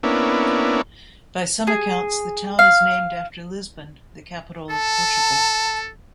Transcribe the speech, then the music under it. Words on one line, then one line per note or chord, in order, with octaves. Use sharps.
By some accounts, the town is named after Lisbon, the capital of Portugal.
A#3 B3 C#4 D4 E4
G#4
F5
A4 A5